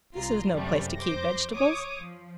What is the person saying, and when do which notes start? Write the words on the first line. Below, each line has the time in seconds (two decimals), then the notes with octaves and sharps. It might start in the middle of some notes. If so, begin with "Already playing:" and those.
This is no place to keep vegetables.
0.14 C2 F4 A#5
0.52 F#2 C3 G3 A3
0.97 F2 C5 D6 G6 A#6
1.52 C#5 D6 D#6
1.96 F3